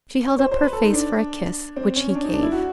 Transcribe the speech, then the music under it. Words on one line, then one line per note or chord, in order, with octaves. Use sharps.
She held up her face for a kiss, which he gave.
C#5
C5
C5
B4
A4
D#4
D4
C4
C#4
C#4
D4
D#4
D4
E4
F#4